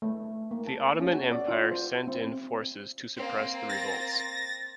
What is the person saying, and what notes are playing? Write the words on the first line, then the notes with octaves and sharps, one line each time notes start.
The Ottoman Empire sent in forces to suppress the revolts.
A3
A#3
A5
C#4
F#4
D5
F4
C5
C4
A#3 C4
A6 A#6